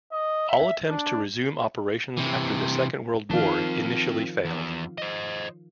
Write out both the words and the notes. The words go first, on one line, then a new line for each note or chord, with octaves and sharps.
All attempts to resume operations after the Second World War initially failed.
D#5
E5
D4
C3 E3
D#3 F3 C4 F5 A5
E2
C5 D#5